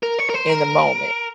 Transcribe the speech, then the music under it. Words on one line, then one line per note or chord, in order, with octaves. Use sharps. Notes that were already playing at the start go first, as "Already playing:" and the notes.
in the moment.
A#4
C#5
A#4
C5
A#4